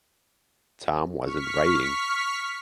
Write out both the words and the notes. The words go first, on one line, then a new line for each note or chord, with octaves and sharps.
Tom wasn't writing.
C#6 F6 B6